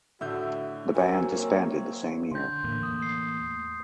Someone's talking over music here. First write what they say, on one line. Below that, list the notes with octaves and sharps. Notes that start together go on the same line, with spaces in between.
The band disbanded the same year.
A2 D3 F#4 E5 G6
F#3 C4 A#4 G#5
A#3 C#5
D3 C6 G6
E2 A2 A#3
D#6
C7